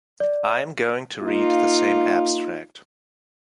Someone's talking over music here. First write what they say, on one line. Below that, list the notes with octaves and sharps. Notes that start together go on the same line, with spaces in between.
I am going to read the same abstract.
D5
A#3 D#4 F4